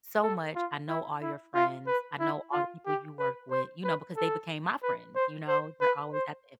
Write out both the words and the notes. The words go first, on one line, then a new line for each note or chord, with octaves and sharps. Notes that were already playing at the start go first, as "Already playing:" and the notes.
so much, I know all your friends, I know all the people you work with," you know, because they became my friends, you know, they're always at the event.
A4
F4
E4
E4
F4
B4
E4
F4
G4
B4
C5
B4
A4
B4
C5
C5
B4
C5